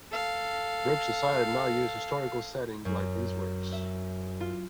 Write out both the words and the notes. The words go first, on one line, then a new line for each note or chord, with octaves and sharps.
Brooks decided not to use historical settings like these works.
A4 F5
F#2
E5
F4